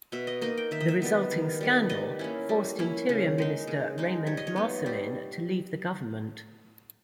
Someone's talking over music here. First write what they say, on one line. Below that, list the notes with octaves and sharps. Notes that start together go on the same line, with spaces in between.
The resulting scandal forced Interior Minister Raymond Marcellin to leave the government.
B2 E5
D#5
A#3 D#4 D#5
G5
D#3 E5
D#5
E5
G3 B3
D#3
G3 B3
G3 D#5
A#3 C#4 E4
G3
A#3 C#4 E4
C#3
G#3 D#4
C#3
G#3 D#4
G3 C#5
D#5
C#5
B3 D#4
G3